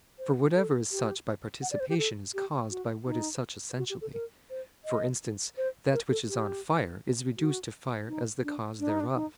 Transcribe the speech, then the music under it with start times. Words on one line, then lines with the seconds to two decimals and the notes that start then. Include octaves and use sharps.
For whatever is such by participation is caused by what is such essentially; for instance, that which is on fire is reduced to fire as the cause thereof.
0.19 C5
0.55 A4
0.92 G4
1.62 F#5
1.72 D5
1.80 C5
1.89 G4
1.98 A4
2.34 G4
2.70 F#4
3.06 D#4
3.78 F#4
3.90 G4
4.01 A4
4.14 A#4
4.50 C5
4.85 D#5
5.57 C5
5.93 A#4
6.11 A4
6.28 G4
7.37 F#4
8.09 D#4
8.44 D4
8.80 D4
8.89 D#4
9.00 D4
9.15 D#4